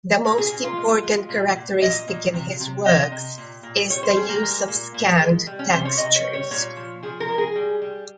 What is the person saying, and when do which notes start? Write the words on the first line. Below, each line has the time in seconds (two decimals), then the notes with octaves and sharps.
The most important characteristic in his works is the use of scanned textures.
0.25 A#2
0.38 G#4
0.50 A#2
0.64 F4
0.77 G#3
1.03 G#3
1.29 A#2
1.56 A#2
1.81 A#2 D#5
2.08 A#2
2.34 C3
2.60 C3
2.85 C3 D#5
3.12 C3
3.38 A#2
3.63 A#2
3.90 G3 C#5
4.03 C5
4.16 G3 G#4
4.29 A#3
4.43 G#3
4.68 A#2
4.94 A#2
5.20 G#3
5.47 G3
5.59 C#4
5.72 C3 C5
5.85 C#5
5.98 C3 D#5
6.16 C#5
6.24 G3
6.33 C#5
6.51 A#2 C#5
6.77 F3
7.03 F3 G#4
7.20 A#4
7.28 G#3
7.38 G#4
7.56 G3
7.82 G3